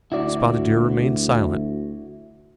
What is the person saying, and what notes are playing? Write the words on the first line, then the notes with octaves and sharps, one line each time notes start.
Spotted Deer remained silent.
D2 E4 F#4 D5